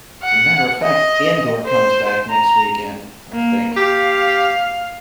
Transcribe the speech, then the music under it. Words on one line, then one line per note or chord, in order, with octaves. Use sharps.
As a matter of fact, Andor comes back next weekend, I think.
F#5
D#5
C5
A#5
A#3
G4 F5